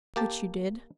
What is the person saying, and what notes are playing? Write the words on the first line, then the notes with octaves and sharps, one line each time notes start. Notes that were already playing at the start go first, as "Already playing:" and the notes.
"Which you did?"
A#3 G4 A5